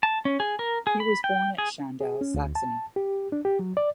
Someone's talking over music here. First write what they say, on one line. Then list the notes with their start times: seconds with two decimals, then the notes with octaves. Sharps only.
He was born at Schandau, Saxony.
0.03 A5
0.25 C#4
0.40 G#4
0.59 A#4
0.87 G#4
1.00 B5
1.24 G5
1.58 G#4
2.01 G#4
2.21 C#4
2.34 D2
2.55 A5
2.96 G4
3.32 D4
3.45 G4
3.59 F#3
3.77 D5